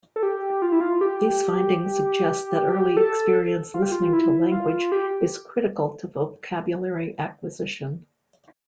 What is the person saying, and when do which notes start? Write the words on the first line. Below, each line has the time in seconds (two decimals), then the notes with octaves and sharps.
These findings suggest that early experience listening to language is critical to vocabulary acquisition.
0.16 A4
0.23 G4
0.62 F4
0.72 E4
0.80 F4
1.01 G4
2.57 G4
2.97 A4
3.74 F4
3.83 G4
3.92 F4
4.13 E4
4.52 F4
4.92 G4